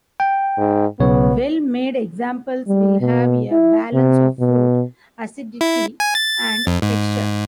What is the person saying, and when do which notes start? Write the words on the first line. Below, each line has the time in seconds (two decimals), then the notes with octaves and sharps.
Well made examples will have a balance of fruit, acidity and texture.
0.20 G5
0.58 G#2
1.00 B1 C#3 B3 C#5
2.67 G3
3.01 B2
3.51 E4
3.94 C3
4.40 B2
5.61 E4
6.00 G#5
6.15 A6
6.67 F2
6.82 G#2